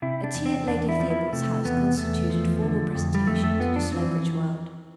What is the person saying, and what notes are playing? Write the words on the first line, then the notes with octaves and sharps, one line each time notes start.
A tea at Lady Theobald's house constituted formal presentation to the Slowbridge world.
C3 E4
D4
E2
C4
E2 D4
E4
F3
E4
C3 A3
E2 B3
E2 A3
F3
D3
F2
G3
F2 A3
A3
F3 B3
D4
E3 C4